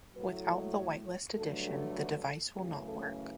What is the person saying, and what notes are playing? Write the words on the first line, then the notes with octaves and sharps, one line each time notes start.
Without the whitelist addition, the device will not work.
A2 F#3 A3 B4
D5
C#5
C#5
G2 D3 F#3 A3 A4
G4
F#4
A4
F#2 C#3 E3 A3 G4
A4